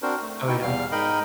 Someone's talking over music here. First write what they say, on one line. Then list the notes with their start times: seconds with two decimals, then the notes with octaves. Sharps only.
Oh, yeah.
0.02 C4 D4 F#4 A#4 C5
0.21 A3
0.47 B2 D#4 E4 G5 C#6
0.62 E2 G3 F5 F6
0.92 G#2 D#4 A#4 D#5 G5 B5